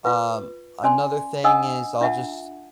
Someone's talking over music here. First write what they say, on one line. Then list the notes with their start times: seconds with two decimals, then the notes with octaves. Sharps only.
Um, another thing is I'll just
0.05 F4 B4
0.83 C#4 D5 G#5 C6
1.44 D4 D#5 F#5 G#5 D#6 E6
2.01 D4 F4 E5 F#5 A5